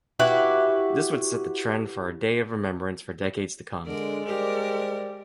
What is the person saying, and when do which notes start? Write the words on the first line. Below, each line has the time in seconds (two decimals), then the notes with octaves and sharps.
This would set the trend for a day of Remembrance for decades to come.
0.19 E4 F#4 G4 B4
3.87 D3 G#3 D4 A#4 D5
4.26 G3 G4 A#4 C5 D5